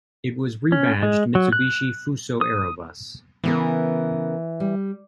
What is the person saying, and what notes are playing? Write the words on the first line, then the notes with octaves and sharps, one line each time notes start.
It was a rebadged Mitsubishi Fuso Aero Bus.
C#4
G#3
F#3
F#6
D#6
C#3 E3 B3 A#4
G3